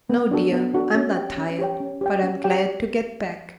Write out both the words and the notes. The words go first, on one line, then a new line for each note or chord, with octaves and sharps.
"No, dear, I'm not tired--but I'm glad to get back."
B3
D4 F#4 A4
B3
D4 F#4 A4
C#4
G4 C#5 G5
C#4
G4 C#5 G5
C#4
G4 C#5 G5
C#4
G4 C#5 G5